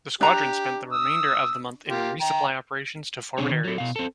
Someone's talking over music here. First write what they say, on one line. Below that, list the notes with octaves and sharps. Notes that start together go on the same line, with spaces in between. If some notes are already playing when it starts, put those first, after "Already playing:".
The squadron spent the remainder of the month in resupply operations to forward areas.
D4 G4 A#5
D#6 E6
A#3 F4 G4
G5 A#5
B2 C4 D4 G#4 C#5
D#3
F#3 A4
B2 F5
C4 A4